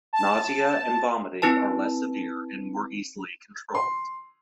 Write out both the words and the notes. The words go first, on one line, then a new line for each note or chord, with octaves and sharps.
Nausea and vomiting are less severe and more easily controlled.
A5
C4 D#4 E4 B4 A5
C6